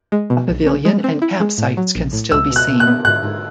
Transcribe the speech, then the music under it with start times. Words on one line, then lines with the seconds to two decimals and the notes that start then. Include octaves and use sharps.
A pavilion and camp sites can still be seen.
0.12 G#3
0.30 B2
0.48 B1
0.67 C#4
0.85 G#3
1.04 C4
1.22 E4
1.40 G#3
1.58 A2
1.77 F#3
1.95 A#1
2.13 A2
2.31 C#2 E6
2.50 B2
2.56 F#6
2.68 B2
2.80 F#6
2.87 B3
3.05 G#2 F#6
3.23 G#2